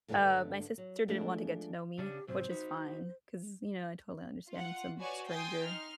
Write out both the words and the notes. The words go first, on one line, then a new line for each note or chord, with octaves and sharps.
Uh, my sister didn't want to get to know me, which is fine 'cause, you know, I totally understand I'm some stranger.
G2 D3 D4 G#4 B4 E5
F#3
F3 G#3 A3 D4
C#3 C#4 D4 G4
G#2 C3 F#3 C5
D#4 F#4 B4
F4 F#5
F#4 B4 C#5 D5 G#5 C#6
G5 G#5 C6 D#6 A6
D#4 C6 F6